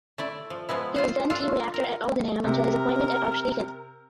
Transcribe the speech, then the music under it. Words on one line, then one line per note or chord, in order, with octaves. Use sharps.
He was then Team Rector at Aldenham until his appointment as Archdeacon.
A3 E4 D5
F3
F3 G#3 B3 E4
F4 C5 F#5
D4 F4 A4
A#4
C3 A#4